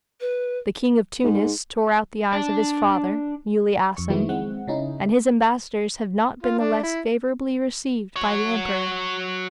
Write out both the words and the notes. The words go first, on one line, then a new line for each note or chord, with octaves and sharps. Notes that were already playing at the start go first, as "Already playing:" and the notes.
The King of Tunis tore out the eyes of his father, Muley Assem, and his ambassadors have not been the less favourably received by the emperor.
B4
G#2
D4
F2 C#6
D#3 F3 F#3 G#3 B3 E4
G#3 C4 F#5
C#3 C#4 D#4 E4
F4
D4
E4
F#4 C#5